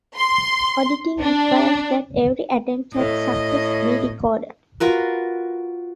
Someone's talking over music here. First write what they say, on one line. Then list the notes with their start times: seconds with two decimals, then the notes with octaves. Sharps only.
Auditing requires that every attempt at access be recorded.
0.17 C6
1.21 D4
2.94 A2 D#5
4.80 F4 F#4 A#4 B4